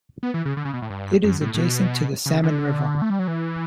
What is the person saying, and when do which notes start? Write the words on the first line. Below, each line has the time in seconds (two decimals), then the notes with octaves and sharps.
It is adjacent to the Salmon River.
0.23 B3
0.34 E3
0.45 C#3
0.57 D3
0.65 C#3
0.74 B2
0.82 A2
0.90 G2
1.24 F#2
1.41 A2
1.54 A2
1.59 B2
2.26 C#3
2.43 D3
3.02 A3
3.10 G3
3.19 F#3
3.28 E3